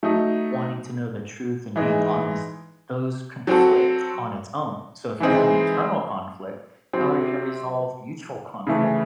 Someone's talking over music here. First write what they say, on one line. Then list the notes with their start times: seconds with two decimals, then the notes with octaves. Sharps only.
wanting to know the truth and being honest, those conflict on its own. So, if you're having internal conflict, how are you gonna resolve mutual conflict?
0.03 F#3 A3 D#4
1.76 E3 G#3 D#4
3.47 F#3 C4 F#4 A4
5.20 E3 G#3 C4 D#4 G#4
6.93 C3 F#3 C4
8.67 C#3 E3 A3